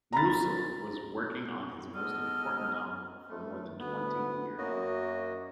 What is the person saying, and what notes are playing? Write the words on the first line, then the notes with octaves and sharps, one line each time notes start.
Musil was working on his most important novel for more than twenty years.
A#5 B5 A6
G#3 B3 A4 D#5 F6
A3
D2 B3
F#2 A#3 F#4 D#5